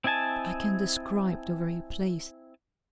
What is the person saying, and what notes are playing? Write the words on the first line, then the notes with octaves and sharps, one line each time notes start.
I can describe the very place.
C4 E4 D#5 G#5 A5